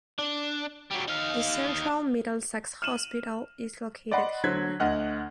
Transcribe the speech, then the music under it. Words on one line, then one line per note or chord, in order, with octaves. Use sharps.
The Central Middlesex Hospital is located here.
D4
F#3 G3
D#4 F5
F6 D#7 E7 F#7
D5 D#5 F#5 B5 C6
D3 F#3 C5 F#6 G#6 B6
D2 D#5 F#5 F6